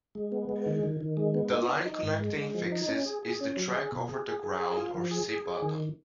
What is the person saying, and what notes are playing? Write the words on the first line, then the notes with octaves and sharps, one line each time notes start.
The line connecting fixes is the track over the ground or sea bottom.
G#3
B3
G#3
D#3
D#3
D#3
G#3
B3
D#4
D#4
D#4
G#2
G#3
G#3
F3
D#4
C#4
G#4
G#4
C#4
F#3
G#4
B2
G#4
G#4
G#4
G#4
F4
F3
G#4
G#4
G#4
D#3